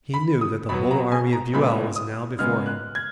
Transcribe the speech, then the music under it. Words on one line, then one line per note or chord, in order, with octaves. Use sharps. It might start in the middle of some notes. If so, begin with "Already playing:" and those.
He knew that the whole army of Buell was now before him.
B5
D#6
B2 F#3 B3 B5
A#5
G#5
A#5
A#2 G#3 B3 B5
D#6
C#3 G#3 B3 F6
F#6
G#6